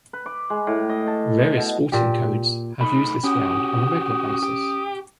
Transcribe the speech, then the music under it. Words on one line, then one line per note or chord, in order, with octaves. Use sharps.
Various sporting codes have used this ground on a regular basis.
B4
D6
G#3
A2
D#5
A5
D#5
B2
A#2 G4
A3 D#4 B5
C#4 F#4 G4 D#6
G4